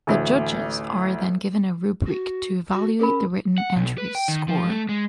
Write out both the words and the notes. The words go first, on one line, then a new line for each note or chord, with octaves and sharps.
The judges are then given a rubric to evaluate the written entry's score.
A1 D2
F#4
F#4
C#4 G#4 A#4 B5
F#5
B1
B4
G5
D#3
F3
A3
G#3